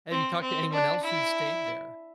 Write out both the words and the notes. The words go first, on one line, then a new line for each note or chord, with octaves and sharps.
Have you talked to anyone else who's stayed there?
C4
C4
D4
E4